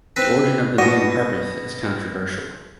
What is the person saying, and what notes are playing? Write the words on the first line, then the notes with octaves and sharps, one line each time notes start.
The origin of the name "Harpeth" is controversial.
C4 B4 B5
B2 F#4 D5 D#5 F#5